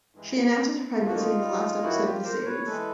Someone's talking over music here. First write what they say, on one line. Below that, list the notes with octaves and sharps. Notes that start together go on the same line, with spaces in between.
She announces her pregnancy in the last episode of the series.
G2 E3 G#3
F2 D3 F3 A#3 F4
F#4
D#4 F4
G2 D#3 F#3 A#3 E4 F#4
F4 G4
A#4 C5
B4 C#5
E3 G#3 A4 B4